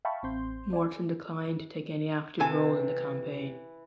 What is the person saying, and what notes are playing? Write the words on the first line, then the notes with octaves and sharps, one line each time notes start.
Morton declined to take any active role in the campaign.
E5 F5 G5 A5 B5 C#6
A1 C4 C6 G6
D5 G#5
C3 E3 A4 G#5